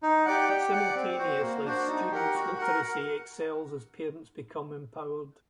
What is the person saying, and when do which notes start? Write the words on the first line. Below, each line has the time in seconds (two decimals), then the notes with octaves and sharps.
Simultaneously students' literacy excels as parents become empowered.
0.03 D#4
0.25 G4 D5 F#5
0.49 G4
0.72 D5 F#5
0.95 C4
1.19 F#4 C5
1.41 A#3
1.65 D4 F#4 C5
1.88 D#4
2.11 G4 A#4 F#5
2.35 F#4
2.58 A#4 F#5